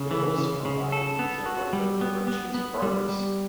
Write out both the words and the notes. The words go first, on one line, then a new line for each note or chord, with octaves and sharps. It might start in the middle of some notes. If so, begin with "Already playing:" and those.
They also provide a detailed record of eruptions in progress.
Already playing: C#3
E3
C#3
C#3
A4
B3
F#4
G3
B3
B3
B3
G3
G3